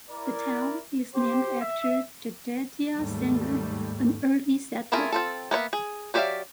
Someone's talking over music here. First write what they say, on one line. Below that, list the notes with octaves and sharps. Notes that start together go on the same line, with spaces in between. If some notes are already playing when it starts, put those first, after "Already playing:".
The town is named after Jedediah Sanger, an early settler.
E4 A#4 D5
G4 C5
E5
D#2 G#2 G3 A3
A3 E4 F4 G#4 A#4
C4 F4 A4
A#3 B3 C#5 E5
G#4
F#3 G4 D5 E5 F5